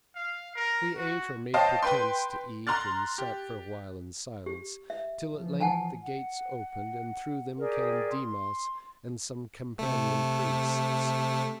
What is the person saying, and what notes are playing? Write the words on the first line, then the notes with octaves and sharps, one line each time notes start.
We ate, or made pretence to eat, and sat for a while in silence, till at length the gates opened, and through them came Dimas and some companion priests.
F5
A#4
F#4
C5 C#5 D#5 F5 G5 A5
B4 G5 C6
A#5 C6 F6 F#6 A6
G4
G4
E5
E3 F3
F#5 G#5 A5
F#5
G4 G#4 A#4 D5
C6
C3 A3